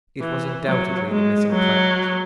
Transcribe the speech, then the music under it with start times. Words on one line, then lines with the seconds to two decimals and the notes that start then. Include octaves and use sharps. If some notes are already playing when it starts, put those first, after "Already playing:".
It was undoubtedly the missing planet.
0.21 E3
0.66 F#3
1.10 G#3
1.52 F#3